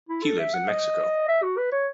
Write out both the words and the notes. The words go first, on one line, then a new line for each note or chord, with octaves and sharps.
He lives in Mexico.
E4
A4
E5
F#5
D#5
E5
F#4
B4
C#5